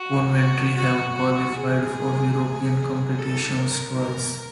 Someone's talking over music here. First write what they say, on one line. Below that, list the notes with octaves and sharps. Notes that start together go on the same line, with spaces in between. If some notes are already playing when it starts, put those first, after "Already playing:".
Coventry have qualified for European competitions twice.
Already playing: F#4
F#4
F#4
F#4
G#4
G#4
A4
A#4
A#4